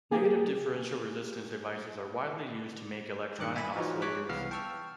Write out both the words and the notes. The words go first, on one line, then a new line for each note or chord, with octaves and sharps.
Negative differential resistance devices are widely used to make electronic oscillators.
A#3 G4 G#4
G2 D#3 D6 F#6 C#7
E5 G#5 B5
E3 F3 D#4 F#4 C5 C#5
C#5 C#6 D6 F#6 B6
C2 E3 B3 F5 F6 C7
G5 A5 C#6 E6 F6